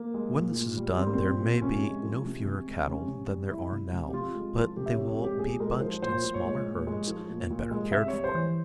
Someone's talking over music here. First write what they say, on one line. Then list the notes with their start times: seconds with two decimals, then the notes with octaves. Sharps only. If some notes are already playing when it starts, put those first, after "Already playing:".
When this is done there may be no fewer cattle than there are now but they will be bunched in smaller herds and better cared for.
Already playing: A#3
0.14 G#3
0.34 A#2
0.56 A#2
0.77 G3
0.97 G3 C4
1.06 A#3
1.13 C4
1.19 A#2
1.40 A#2
1.62 C3 C#4
1.82 G#3
2.03 F3
2.25 C3
2.46 C3
2.66 G#3
2.87 C3 C#4
3.08 C3
3.29 G3
3.51 G3 E4
3.72 C3
3.93 C3
4.09 G4
4.13 C3 F4
4.34 G#3
4.55 F3
4.76 C3 G4
4.86 E5
4.92 C#5
4.97 C3
5.08 C#5
5.19 G#3 G4
5.39 A#2 G#4
5.60 G#3 A#4
5.81 F3 C5
6.02 A#2 C5
6.24 A#2
6.34 C#5
6.45 G#3
6.66 A#2
6.87 G#3
7.08 F3
7.29 A#2
7.50 A#2
7.71 G#3
7.92 C3 E5
8.08 C#5
8.13 G3
8.24 C5
8.34 E3